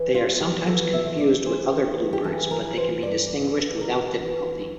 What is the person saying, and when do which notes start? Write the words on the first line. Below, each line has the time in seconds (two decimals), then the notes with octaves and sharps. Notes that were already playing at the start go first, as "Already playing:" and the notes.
They are sometimes confused with other bluebirds, but they can be distinguished without difficulty.
Already playing: E3
0.14 F4
0.28 E2
0.40 G4
0.67 E3 A4
0.93 E5
1.06 E2
1.19 D5
1.45 E3 C5
1.85 E2
2.13 G4
2.24 E3 A4
2.51 A#4
2.63 E3
2.77 C5
3.02 G2 D5
3.41 E3
3.81 E3 A#4
4.20 E3